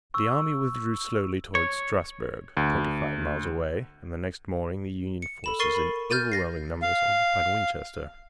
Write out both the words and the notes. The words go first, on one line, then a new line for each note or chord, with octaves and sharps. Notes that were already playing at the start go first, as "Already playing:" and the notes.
The army withdrew slowly toward Strasburg, twenty-five miles away, and the next morning the Union forces in overwhelming numbers occupied Winchester.
C#6 E6
C#5
D2
C#7
A4 B5 E7
A#4 C#6 A6 C7 D#7 G7
B5
F6 G6 A6 D#7
A6 A#6 C7
F5